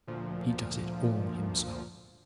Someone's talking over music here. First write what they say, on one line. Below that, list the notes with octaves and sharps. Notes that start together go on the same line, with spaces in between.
He does it all himself.
D2 A#2 F3